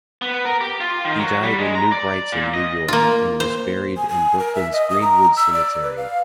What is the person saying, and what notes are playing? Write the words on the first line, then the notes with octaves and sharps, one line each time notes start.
He died in New Brighton, New York, and was buried in Brooklyn's Green-Wood Cemetery.
B3
A#4
G4
F4
D#3
F#3
G3
G#3
A#5
D5
A#2
D#5
A#3 F4
C5
G#5
G#5
A#4
E5
D#5
D#6
A#5
E6
D5
B4
F5